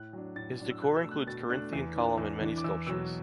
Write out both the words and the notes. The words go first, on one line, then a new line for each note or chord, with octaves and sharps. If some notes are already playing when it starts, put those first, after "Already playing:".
His decor includes Corinthian column and many sculptures.
Already playing: A2 F#6
F#3 D4
A2 A6
F#3 D4
E6
B2 F#6
E6
A3 D4
F#6
B2 A6
A3 D4 F#6
E2
E3 D4
E2
E3 D4
D6
E2 E6
B2 F#3 E6